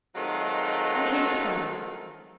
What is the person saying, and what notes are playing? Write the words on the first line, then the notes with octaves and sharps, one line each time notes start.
I hate twaddle.
D#3 F#3 G#3 A3 C4 F4